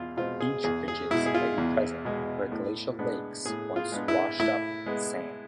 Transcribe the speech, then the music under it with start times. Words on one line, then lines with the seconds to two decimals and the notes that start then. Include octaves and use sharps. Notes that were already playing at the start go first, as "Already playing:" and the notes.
Beach ridges may be present where glacial lakes once washed up sand.
Already playing: E2 B2 F4 G#4
0.17 B2 G#3 C4 F4
0.40 G#4
0.64 E2 G#4
0.88 G#4
1.10 B2 G#3 E4
1.26 G#4
1.34 F4
1.58 E2
2.05 B2 G#3
2.52 A2
2.99 G#3 B3 D4
3.46 A2 G#4
3.76 F4
3.92 G#3 B3 D4
4.08 E4
4.39 A2 E4
4.86 G#3 B3